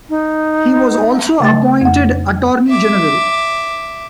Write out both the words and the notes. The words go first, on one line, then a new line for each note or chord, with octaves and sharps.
He was also appointed Attorney General.
D#4
C#3 A3 A6
F2 F#5
E5 D6